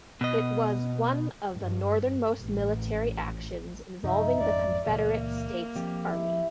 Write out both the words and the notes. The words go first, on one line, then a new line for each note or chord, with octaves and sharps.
It was one of the northernmost military actions involving the Confederate States Army.
B2 D#5
G2
A1
F#2 C3 F3 D#4 E5
G#1 F2 C#4 D5 E5
C#2 A#2 E3 A#3
F3 C4 G4
E4